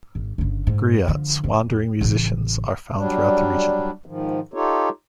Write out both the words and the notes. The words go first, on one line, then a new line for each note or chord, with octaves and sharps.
Griots, wandering musicians, are found throughout the region.
G#1
G1 C#3
G#2
D3 F3
F2
A1 C#3
F#3 G3 D4
G#2 D#3 F3
D#4 F4 G4 A4 C#5